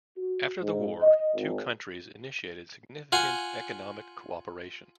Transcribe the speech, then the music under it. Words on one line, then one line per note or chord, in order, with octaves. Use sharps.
After the war two countries initiated significant economic cooperation.
F#4
G#2
D#5
G#1
F4 F#5 G#5